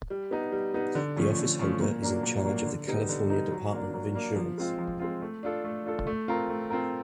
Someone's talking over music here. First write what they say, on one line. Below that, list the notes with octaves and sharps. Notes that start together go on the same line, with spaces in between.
The officeholder is in charge of the California Department of Insurance.
G3
B3 D#4
G3
B3 D#4
D3
F3 A3 C#4
D3
F3 A3 C#4
A#2
F#3 A#3 D4
A#2
F#3 A#3 D4
D3
G3 B3 D#4
D3
G3 B3 D#4
F#3
A#3 D4
F#3
A#3 D4
F3
G#3 C4 F4
F3
G#3 C4 F4
A3
D4 F4 A4
A3
D4 F4 A4
A3
C4 F4 A#4
A3
C4 F4 A#4